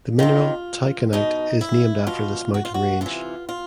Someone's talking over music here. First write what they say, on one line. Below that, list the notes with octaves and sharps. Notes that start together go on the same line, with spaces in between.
The mineral Taikanite is named after this mountain range.
C3 D#3 F4
B2 D#4
E4
B2 F4
F#4
F4
F#4
C3 E3 F4
F4